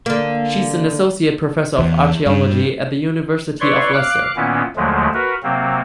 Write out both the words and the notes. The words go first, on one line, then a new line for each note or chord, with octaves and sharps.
She is an Associate Professor of Archaeology at the University of Leicester.
D3 A#3
E2
G2
E4 B4 C#5 D5 C6 C#6
F5 D6 F#6
A#2 D#3 A#3 B3 C#4 E4
D#2 D3 F3 F#3 G#3 A3
F#4 A#4 B4
C3 F#3 A#3 C4